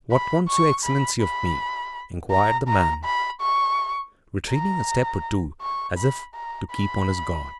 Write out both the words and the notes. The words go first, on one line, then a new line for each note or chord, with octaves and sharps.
"What wants your excellency of me?" inquired the man, retreating a step or two, as if to keep on his guard.
B5
C#6
B5
B5
A#5
A#5
B5
C#6
A#5
C#6
B5
A#5
B5